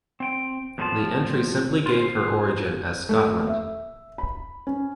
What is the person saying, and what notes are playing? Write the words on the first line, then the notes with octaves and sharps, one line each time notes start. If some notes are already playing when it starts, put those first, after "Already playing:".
The entry simply gave her origin as Scotland.
C4 G5
E2 A2 F3 D#4 F4 A5
F4 C5
A3
E5
B5
C#4